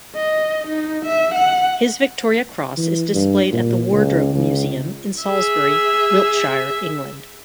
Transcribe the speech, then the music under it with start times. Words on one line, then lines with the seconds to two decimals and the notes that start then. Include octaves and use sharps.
His Victoria Cross is displayed at The Wardrobe Museum in Salisbury, Wiltshire, England.
0.16 D#5
0.68 D#4
1.06 E5
1.35 F#5
2.77 E3
3.14 G2
3.52 A#2
3.91 C#2
4.34 C#2
5.23 G#4 E5